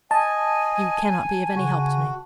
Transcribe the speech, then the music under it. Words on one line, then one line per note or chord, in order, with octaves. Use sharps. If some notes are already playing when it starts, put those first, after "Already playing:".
"You cannot be of any help to me."
D#5 G#5 A5
C#3 F#4